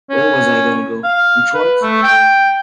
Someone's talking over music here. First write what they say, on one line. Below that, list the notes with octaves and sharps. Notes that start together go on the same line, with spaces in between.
Where was I gonna go, Detroit?
C#4
F5
B4
A3
G5